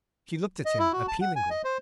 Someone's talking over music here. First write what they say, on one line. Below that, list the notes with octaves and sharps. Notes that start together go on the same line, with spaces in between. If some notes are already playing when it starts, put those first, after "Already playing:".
She looked at him appealingly.
D#5
E4
F#4
A5
F#5
G#5
D#5
C5